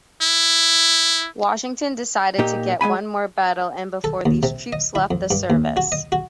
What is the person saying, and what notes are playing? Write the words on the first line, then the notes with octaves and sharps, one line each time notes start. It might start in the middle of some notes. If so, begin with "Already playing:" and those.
Washington decided to get one more battle in before these troops left the service.
E4
A#2 A#3 D#4 G4
G#3 B3 G#5 B5
A4
D#2
C3
D#5
E4
F2
G2
D#2
F#4
D#5
F#4